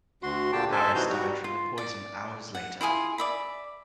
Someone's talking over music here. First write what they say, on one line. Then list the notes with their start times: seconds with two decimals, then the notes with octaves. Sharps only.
Harris died from the poison hours later.
0.23 D2 F#4 C6
0.52 A#2 D3 G4 G5 A5
0.72 A4 C5 E5 G#5 A5
0.95 C3 E3 D#4 F#4 A#5 G6
1.09 G3 F#4 A#5
1.44 F4
1.78 D5
2.55 F#5
2.81 E4 F4 G#4 G#5
3.18 D5 E5 B5